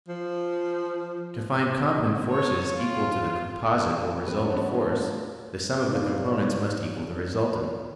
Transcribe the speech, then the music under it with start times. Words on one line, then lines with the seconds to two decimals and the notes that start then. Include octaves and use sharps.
To find component forces equal to the composite or resultant force, the sum of the components must equal the resultant.
0.08 F3
2.30 C#5
2.75 F4
4.26 D#3 G3 A#3 C4 G4 B4
4.41 D3 B3 D4 A4
4.54 E3 G3 B3 C#4 D4 D#5
4.78 C#3 F3 G3 G#3 B3 C#4
4.92 G2 A#2 D#3 A3 A#3 D4
5.91 D#4 G4 B4 C#5 D5 F5